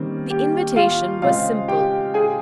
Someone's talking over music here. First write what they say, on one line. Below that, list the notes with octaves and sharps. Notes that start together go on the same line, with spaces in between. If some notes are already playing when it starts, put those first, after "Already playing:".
The invitation was simple.
Already playing: D#3 G3 A#3 C4 C#4
G4
F4 F5
C#3 G#3 C4 F4 F5
G4 G5
G#4 G#5